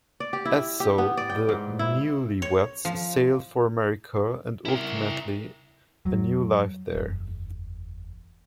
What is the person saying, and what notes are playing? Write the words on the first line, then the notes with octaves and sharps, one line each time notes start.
And so the newlyweds sailed for America and ultimately a new life there.
D5
G4
E4
G4
B3
D5
G5
G#2
E4
C#5
F3
E4 A#4
F2 F#3
F#1 E2